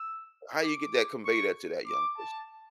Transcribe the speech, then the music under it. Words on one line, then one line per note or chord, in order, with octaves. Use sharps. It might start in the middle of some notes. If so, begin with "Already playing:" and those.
how do you get that convey that to that young person?
Already playing: E6
D6
C#6
D6
A5